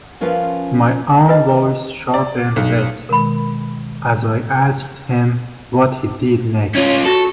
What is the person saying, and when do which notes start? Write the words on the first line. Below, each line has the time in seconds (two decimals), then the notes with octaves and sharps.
My own voice sharpened a bit as I asked him what he did next.
0.21 F3 C#4 F4 A#4 B4 F5
1.28 F4 B4 D#5
2.14 D5
2.56 B1
3.09 B2 D#3 G#3 A#4 B5
6.75 C#4 F4 C#5
7.05 F#4 A4